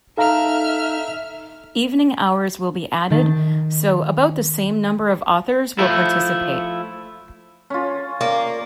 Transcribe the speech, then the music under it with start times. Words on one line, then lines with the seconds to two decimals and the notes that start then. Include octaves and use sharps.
Evening hours will be added so about the same number of authors will participate.
0.18 D#4 A4 E5 F5 A#5 F6
3.10 D#3 A5
5.78 F3 A3 E4
7.70 C#4 F4
8.21 A#3 D5